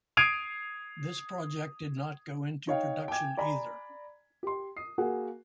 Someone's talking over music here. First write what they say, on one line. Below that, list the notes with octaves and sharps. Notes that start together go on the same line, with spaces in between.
This project did not go into production either.
D#6 G#6 C7 D7 D#7 F7
D#4 C#5 F5 G5
G5 G#5 D6 G#6
D5 G#5 A#5 B5
G4 C6
D#6 C7
A#3 F#4 G#4 F#5